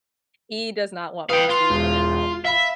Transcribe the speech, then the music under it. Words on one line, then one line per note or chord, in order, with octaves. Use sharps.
he does not want me to burn in hell.
B4 F5 G5 D#6
F4
E1
E5 F5 B5